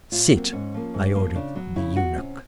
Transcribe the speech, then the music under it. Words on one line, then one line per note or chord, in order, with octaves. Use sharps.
"Sit," I ordered the eunuch.
A2 F4
F#3 A#3 C4
G#2 C#4
F3 A#3
G#2
F3 A#3
C#3 D4
F#3 B3
C#3 E4
F#3 B3 F#4
C3 C#4